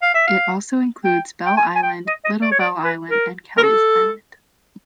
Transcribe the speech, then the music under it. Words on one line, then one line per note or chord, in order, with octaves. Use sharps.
It also includes Bell Island, Little Bell Island and Kelly's Island.
F5
E5
F5
G5
G5
G#5
G#5
G5
D#5
D#5
D5
C#5
D5
B4
A#4
A#4
A4